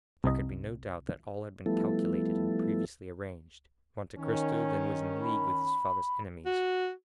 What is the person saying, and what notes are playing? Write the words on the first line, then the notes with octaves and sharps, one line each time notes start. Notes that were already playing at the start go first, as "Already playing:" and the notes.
There could be no doubt that all had been calculated and previously arranged; Monte Cristo then was in league with his father's enemies.
C2 D#5
F3 G3 A3 B3 E4 A4
D#3 C#4
B5
F#4